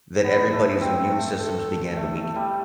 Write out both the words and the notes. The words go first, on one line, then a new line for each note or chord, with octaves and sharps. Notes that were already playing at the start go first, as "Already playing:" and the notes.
that everybody's immune systems began to weaken.
B3 B4
A3
C4
A3
A4
A3
A3
G3